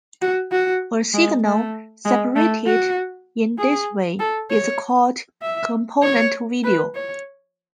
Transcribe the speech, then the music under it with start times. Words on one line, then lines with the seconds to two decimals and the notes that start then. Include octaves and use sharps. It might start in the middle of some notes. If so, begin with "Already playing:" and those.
A signal separated in this way is called "component video".
0.22 F#4
0.52 F#4
1.14 G#3
1.44 A3
2.05 G#3
2.36 A3
2.66 F#4
3.58 G#4
4.20 A4
4.50 C#5
5.42 E5
6.03 C#5
6.64 B4
6.95 C#5